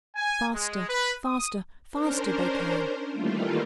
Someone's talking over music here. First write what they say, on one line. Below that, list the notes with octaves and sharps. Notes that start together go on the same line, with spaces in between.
Faster, faster, faster, they came.
G#5
G#3
B4
D#6
C#4 D4 A#4 C5
D#3 E3 G3 A3 A#3 F4